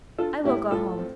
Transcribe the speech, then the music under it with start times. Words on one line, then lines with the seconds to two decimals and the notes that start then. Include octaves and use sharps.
"I will go home."
0.18 D4 F4 A4
0.44 A2 E4 G4
0.71 A2 F4 A4
0.98 C4